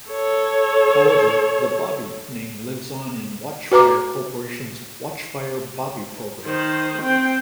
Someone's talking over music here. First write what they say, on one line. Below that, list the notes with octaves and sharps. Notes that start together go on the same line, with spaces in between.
However, the Bobby name lives on in Watchfire Corporation's Watchfire Bobby program.
A4 C#5
F#4 B4 A#5 D6
D#3 C5
C4 G5